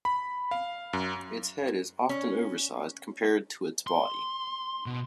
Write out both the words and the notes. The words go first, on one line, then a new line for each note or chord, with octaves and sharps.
Its head is often oversized compared to its body.
B5
F5
F#2
C#4
C6
B2